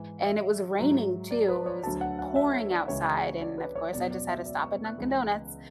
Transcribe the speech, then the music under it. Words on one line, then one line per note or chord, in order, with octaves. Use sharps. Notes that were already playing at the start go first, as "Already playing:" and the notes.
and it was raining too, it was pouring outside, and of course, I just had to stop at Dunkin' Donuts,
Already playing: G#2 E3
E5
G#2 F#3
D5
B4
C#5
D2 D3 F#3 A5
F#5
F#5
E5
C#5
D5
C#2 C#3 E3 C#5
D5
B4
C#5
E2 B2 F#3 D5
D5
E5
D5
C#6
F#6
C#2 C#3 E3